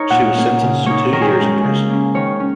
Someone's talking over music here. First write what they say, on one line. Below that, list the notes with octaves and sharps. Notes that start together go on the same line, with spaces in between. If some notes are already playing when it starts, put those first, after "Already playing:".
She was sentenced to two years in prison.
Already playing: D#4 A#4 C#5 D#5
A#2 F#5
A#3 C#4
C#3
A#3 D#4 C#5
D#3 A#4
G#4
A#4
G#3 C#4
C#3 G#4
A#3 C#4
D#3 C#5
C#4